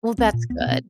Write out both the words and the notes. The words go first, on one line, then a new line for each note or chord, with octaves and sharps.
Well, that's good.
C2 C4
A#2
C#2 B3
B3
B2 C4